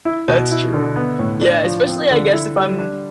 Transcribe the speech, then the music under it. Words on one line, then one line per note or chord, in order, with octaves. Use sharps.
That's true. Yeah, especially I guess if I'm
E4
B2
E4
D3
B3
A2
D4
F3
C4
D3
E4
G3
D4